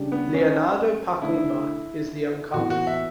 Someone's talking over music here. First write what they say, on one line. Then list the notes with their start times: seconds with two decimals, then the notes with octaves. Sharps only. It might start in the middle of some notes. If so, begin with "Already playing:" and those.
Leonardo Paculba is the incumbent.
Already playing: C#3 G3 D4 G4
0.12 B3
0.34 C#4
1.21 D3 A3 D4 E4 A4
2.54 A2 E3 B3 F#4
2.70 F#4
2.87 E5